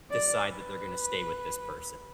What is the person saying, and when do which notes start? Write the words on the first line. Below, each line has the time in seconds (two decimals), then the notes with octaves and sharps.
decide that they're gonna stay with this person.
0.10 D5
0.48 B4